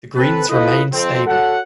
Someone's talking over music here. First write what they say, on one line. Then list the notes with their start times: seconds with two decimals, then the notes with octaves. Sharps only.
The Greens remained stable.
0.15 C4 A4 B4
0.49 E4 F4 A4 B4 D#5
0.92 F2 C4
1.26 F#4 A4 C#5 F#5